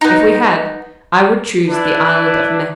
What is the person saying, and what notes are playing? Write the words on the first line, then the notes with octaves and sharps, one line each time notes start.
'If we had I would choose the Island of Man.'
B3 D#4
D4 E4 B4